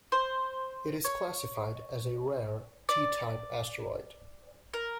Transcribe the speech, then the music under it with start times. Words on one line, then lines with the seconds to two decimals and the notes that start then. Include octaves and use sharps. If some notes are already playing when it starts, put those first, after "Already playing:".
It is classified as a rare T-type asteroid.
0.12 C5
1.04 C#5
2.89 D5
4.74 A#4